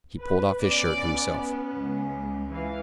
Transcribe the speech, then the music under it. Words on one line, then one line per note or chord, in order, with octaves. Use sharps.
He pulled off his shirt, himself.
B4
B3 C#4 D5
C#2
E3 F5